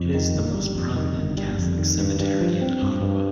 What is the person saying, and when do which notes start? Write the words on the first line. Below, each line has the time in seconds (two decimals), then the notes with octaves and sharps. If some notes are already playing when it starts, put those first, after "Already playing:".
It is the most prominent Catholic cemetery in Ottawa.
Already playing: F2
0.14 D#3
0.34 G1
0.54 G3
0.75 F2
0.96 D#3
1.17 G1
1.37 G3
1.58 F2
1.78 D#3
1.99 G2
2.20 G2
2.41 F3
2.62 C4
2.82 G2
3.02 G2